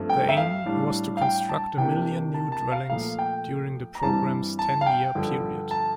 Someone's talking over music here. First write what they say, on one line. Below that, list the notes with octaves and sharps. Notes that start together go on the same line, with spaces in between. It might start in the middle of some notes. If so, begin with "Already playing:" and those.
The aim was to construct a million new dwellings during the programme's ten-year period.
Already playing: G2 F3 A3 C4
G5
E5
F5
A2 G3 D4
F5
G5
A5
C3 E3 A#3 D4 G5
A5
A5
F5
A#2 F3 A3 F5
G5
A#5
G2 E3 G3 C4 A5
A5
F5
G5
G2 D3 F3
A5